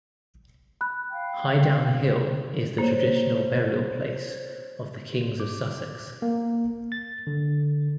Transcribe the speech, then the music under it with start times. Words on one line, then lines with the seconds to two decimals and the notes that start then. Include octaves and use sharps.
Highdown Hill is the traditional burial-place of the kings of Sussex.
0.81 B5 F#6
1.11 F5 G5
2.78 A#3 C5 C#5
5.40 D6
6.22 A#3
6.92 A6
7.27 D3